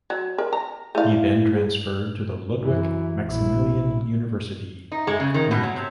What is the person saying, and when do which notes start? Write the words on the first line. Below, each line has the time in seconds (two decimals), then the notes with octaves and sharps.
He then transferred to the Ludwig Maximilian University of Munich.
0.10 F#3
0.38 A#4
0.53 A#5
0.95 A3 E4 F5
1.54 G#4
2.60 F#2 E3
3.26 A#1 E4
4.92 D#4
5.07 G#3
5.20 C#3
5.34 D#3
5.51 B2
5.63 F#3
5.76 C3